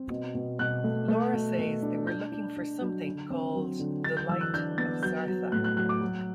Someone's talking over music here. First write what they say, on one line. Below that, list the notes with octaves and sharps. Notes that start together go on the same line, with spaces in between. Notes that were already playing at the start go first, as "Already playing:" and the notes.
Laura says they were looking for something called the Light of Zartha.
Already playing: C4
B2
B2
B2 F#6
A3
A3
B2
B2
D4
D4 G6
D4
D4
F#3
D3
C4
F#3
D3
D4 A6
G6
E3 E6
F#6
D4 G6
B3 A6
F#3 G6
F#3
A2 F#6
F#6
F#3 F#6
D6
F#3